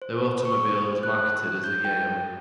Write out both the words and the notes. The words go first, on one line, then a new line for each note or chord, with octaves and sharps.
Their automobile was marketed as the Yale.
C5
C#6
C5
F#6
G6
G5